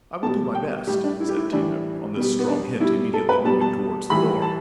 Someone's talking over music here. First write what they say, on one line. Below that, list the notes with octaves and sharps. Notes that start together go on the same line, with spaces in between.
"I will do my best," said Tito--on this strong hint, immediately moving towards the door.
B2 G3 A5
G5
A2 G3 G4
D4
E4
G4
E4
A2 E3 G3 D4
B2 G3
B3
D4
B2 G3 E4
A4
B4
B2 G3 A5
A5
A2 E3 G3 B5
A5